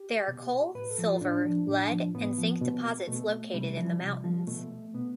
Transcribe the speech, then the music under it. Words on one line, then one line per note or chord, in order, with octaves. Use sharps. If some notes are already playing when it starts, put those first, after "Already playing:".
There are coal, silver, lead, and zinc deposits located in the mountains.
Already playing: G4
B2
A2 B4
A4
F3
F4
A2 D4
F3
A2
F3
A2 B3
F3
B2
B2 A3
C3 G3
F3
C3
F3
B2 A3
B2 B3